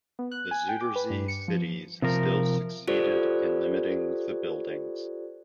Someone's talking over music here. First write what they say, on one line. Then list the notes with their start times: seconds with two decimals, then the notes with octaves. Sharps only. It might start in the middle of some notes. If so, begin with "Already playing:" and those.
The Zuiderzee cities still succeeded in limiting the buildings.
0.19 B3
0.31 F#6
0.51 G#5
0.69 G5
0.81 D6
0.96 B4
1.10 G2
1.28 C#7
1.48 F3
2.02 C3 F3 A#4
2.87 F4 G4 A4 C5 D5